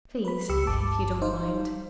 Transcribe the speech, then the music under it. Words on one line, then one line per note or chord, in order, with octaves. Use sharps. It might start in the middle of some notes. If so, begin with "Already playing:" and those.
"Please--if you don't mind."
B4 B5
C#2 G4 E6 C#7
G1 A5 D6
D#4 C5 F5